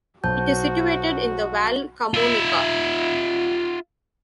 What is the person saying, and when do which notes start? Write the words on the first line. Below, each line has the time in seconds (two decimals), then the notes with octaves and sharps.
It is situated in the Val Camonica.
0.24 B1 F#4 C5 A5 G6
2.14 F4 E5